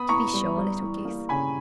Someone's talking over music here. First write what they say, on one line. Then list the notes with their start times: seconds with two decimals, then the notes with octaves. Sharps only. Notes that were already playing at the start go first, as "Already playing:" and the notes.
'To be sure, little goose.
Already playing: B3 B5 D#6
0.09 E4 A#5 C#6
0.33 G3
0.57 G3
0.82 E3
1.05 A#3
1.29 C#3 G#5 B5